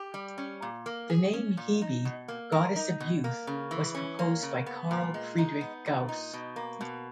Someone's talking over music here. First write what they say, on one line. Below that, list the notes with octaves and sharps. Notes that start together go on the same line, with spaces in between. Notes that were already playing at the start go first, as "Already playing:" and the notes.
The name "Hebe", goddess of youth, was proposed by Carl Friedrich Gauss.
Already playing: G4
G3
C#4
A#2
A#3
G#4
C#4
A#2
D#4
B2
A#3
A#4
D#4
B2
A#3
C#3
E3
C#4
A#3
C#3
B3
A#2
G#3
D#4
B3
A#2
D#4
B2
A#3
B2